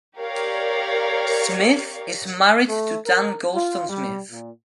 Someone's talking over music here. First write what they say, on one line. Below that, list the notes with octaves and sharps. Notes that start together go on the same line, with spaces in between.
Smith is married to Dian Goldston Smith.
G4 A#4 C#5 D5 F5
A3
A#4
F4
G3
A#2